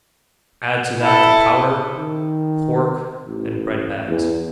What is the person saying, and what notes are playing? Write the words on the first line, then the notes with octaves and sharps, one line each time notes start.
Add to that the powder, pork, and bread-bags.
E4 A4
D#3
A1
E2